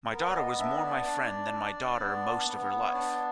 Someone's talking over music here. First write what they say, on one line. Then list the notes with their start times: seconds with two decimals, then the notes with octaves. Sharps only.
My daughter was more my friend than my daughter most of her life.
0.12 B3 A#4
0.24 D5
0.36 D#5
0.59 D4 E5
0.83 D5
1.07 D4
1.53 D4
1.99 B3
2.47 B3
2.88 C#5
2.94 D4 D5